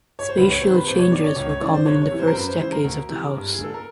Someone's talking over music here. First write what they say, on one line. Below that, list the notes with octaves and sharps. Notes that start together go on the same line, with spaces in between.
Spatial changes were common in the first decades of the house.
C#5
C5
C#2 B4
C#5
C3 D#3 C5
B4
C2 C5
C#5
B2 D5
C#5
C#2 C#5
C#5
C#3 E3 D5
C5
C2 C#5
C#5
C3 E3
C5
A#4
F#2 B4
C5
C#3 E3 C5
A#4
D2
C3 E3
G2
G#4
D3
A4
A#4